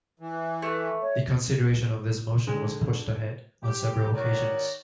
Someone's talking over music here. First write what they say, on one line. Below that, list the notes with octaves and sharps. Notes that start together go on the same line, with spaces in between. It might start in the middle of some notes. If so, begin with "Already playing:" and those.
The consideration of this motion was pushed ahead on several occasions.
E3
A3 B4
C#5
D3 G#3 D4
G4
D#3 F#4 C#5 D5